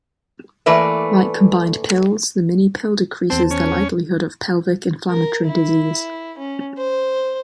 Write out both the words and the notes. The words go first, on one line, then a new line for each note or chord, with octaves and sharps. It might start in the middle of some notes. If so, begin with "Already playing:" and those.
Like combined pills, the minipill decreases the likelihood of pelvic inflammatory disease.
E3 A3 A#3 B4 D5 E5
E2 C4 C5 A5
C#4
A#4
E4
C#4
C5